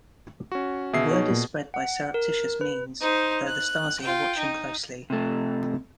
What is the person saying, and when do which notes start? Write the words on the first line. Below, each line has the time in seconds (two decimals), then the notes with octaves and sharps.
Word is spread by surreptitious means, though the Stasi are watching closely.
0.52 C#4 F#4
0.93 B2 G#4 E5 C7
1.11 D#4 C#5
1.31 A#2
1.74 F#5
2.14 A#4
2.61 B4
3.02 D#4 C5
3.48 F#6
4.01 F4 G5
4.38 D#4
5.10 C3 A3